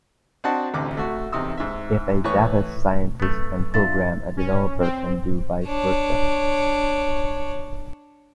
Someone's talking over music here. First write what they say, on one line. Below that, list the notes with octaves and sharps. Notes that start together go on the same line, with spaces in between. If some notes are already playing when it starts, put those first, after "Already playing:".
If a data scientist can program, a developer can do vice versa.
C4 D4 F#4 D#5 F#5 A5
A1 D2 C3 D6
A3 F#4
E2 C3 D#4 C6 D#6 E6
G#2 E5
A2 E3 B4 C#5 C#6
B2 A3
F#2 F#3 A3 B3
D4 F4 E5 A6
C#4
C4
D4 C#5